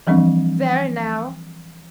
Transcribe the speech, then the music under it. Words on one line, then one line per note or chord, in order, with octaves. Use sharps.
There now!'
E3 F3 G3 C4 D4